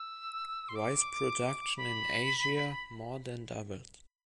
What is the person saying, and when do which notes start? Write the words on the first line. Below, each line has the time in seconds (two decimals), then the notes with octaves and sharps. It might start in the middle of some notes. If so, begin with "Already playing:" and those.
Rice production in Asia more than doubled.
Already playing: E6
0.69 C6
0.76 D6
1.77 B5